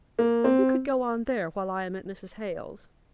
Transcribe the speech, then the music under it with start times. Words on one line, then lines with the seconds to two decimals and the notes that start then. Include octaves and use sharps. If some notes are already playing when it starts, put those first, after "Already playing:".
You could go on there while I am at Mrs. Hale's.'
0.19 A#3
0.44 C4